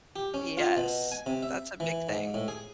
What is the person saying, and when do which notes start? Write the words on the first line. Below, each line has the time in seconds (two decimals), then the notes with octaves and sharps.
Yes. That's a big thing.
0.16 G4
0.34 C#4
0.57 F4
0.77 B2
1.12 G#5
1.26 C3
1.43 E5
1.80 E3
2.09 G#2
2.34 A2
2.48 G#4